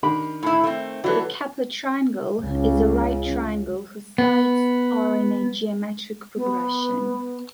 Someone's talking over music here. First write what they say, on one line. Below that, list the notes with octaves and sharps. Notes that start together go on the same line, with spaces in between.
The Kepler triangle is a right triangle whose sides are in a geometric progression.
D#3 D4 A#4 B5
A2 E4
A3 C4
E3 F#3 F#4 A4 B4 D5
C#2 C#3
B3
B3